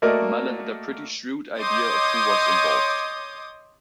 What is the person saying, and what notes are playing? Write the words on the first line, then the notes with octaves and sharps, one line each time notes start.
Mallon had a pretty shrewd idea of who was involved.
A3 A#3 F#4 A#4 D5 D#5
C#5 D#5 C6 D6 D#6 G6